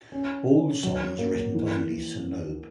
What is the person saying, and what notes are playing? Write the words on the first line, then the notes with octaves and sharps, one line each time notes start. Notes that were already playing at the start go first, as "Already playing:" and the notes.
All songs written by Lisa Loeb.
C#4
C#4
F#3
A#3
E3
E3